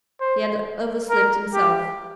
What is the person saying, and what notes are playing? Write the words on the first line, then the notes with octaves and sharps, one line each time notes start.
He had overslept himself!
C5
A#4
G4